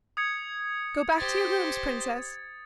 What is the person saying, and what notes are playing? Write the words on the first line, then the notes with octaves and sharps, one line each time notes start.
Go back to your rooms, Princess.
D#6 G#6 C#7
G4 C5 A6